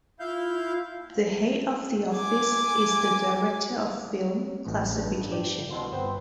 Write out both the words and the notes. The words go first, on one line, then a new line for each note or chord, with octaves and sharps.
The head of the office is the Director of Film Classification.
E4 F4 F5 G6
G#5 D6
A1
G2
D5 G5
C2 B2 C6
G1 B3 C4 C5